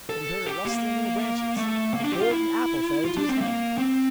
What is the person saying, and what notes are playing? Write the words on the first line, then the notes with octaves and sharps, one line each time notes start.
But he heard a rustling in the branches, and a golden apple fell into his hand.
A4
G4
A#3
A3
A#3
D4
G4
F4
E4
F4
D4
C4
A#3
C4